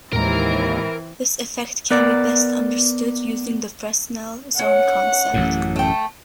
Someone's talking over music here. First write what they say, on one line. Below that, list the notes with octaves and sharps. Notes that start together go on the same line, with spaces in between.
This effect can be best understood using the Fresnel zone concept.
D#2 A2 E3 G#3 C4 A#4 A#5
B3 A#4 D5
C#4 F#5
A1 F#2 A2
A3 G5